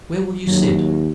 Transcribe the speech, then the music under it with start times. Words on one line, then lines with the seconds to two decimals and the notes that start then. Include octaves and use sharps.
Where will you sit?
0.47 D#2 F#3